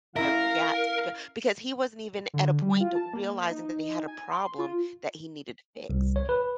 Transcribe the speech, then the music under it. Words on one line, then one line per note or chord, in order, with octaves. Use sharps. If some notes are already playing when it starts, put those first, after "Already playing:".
You gots to go, because he wasn't even at a point t realizing that he had a problem that he needed to fix.
C#4 E4 A#4 E5 F5
D3
G3
F4
A5
A#3
D#4
G#5
C6
F4
C2
C#5
B4